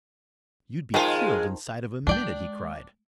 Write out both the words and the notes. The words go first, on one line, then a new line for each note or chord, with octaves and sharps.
"You'd be killed inside of a minute!" he cried.
D#3 F3 G#3 F4 G#4
G#3 D4 D5 G5